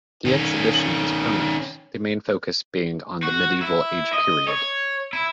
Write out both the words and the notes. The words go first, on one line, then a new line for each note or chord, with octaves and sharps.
The exhibition is permanent, the main focus being on the Medieval age period.
D#3 C#4
F#4
E4
D#5
C#5
E4